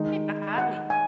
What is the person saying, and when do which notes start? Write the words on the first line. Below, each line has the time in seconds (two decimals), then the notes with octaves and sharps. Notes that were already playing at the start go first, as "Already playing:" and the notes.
pick a hobby?
Already playing: D#3 G#3 D#4
0.58 F#5
0.90 G#5